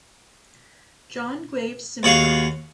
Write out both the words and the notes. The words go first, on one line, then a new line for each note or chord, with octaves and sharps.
John Graves Simcoe.
D#2 F#4 G#4 F5